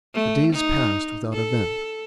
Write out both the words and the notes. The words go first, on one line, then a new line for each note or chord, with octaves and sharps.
The days passed without event.
A3
D#4
A4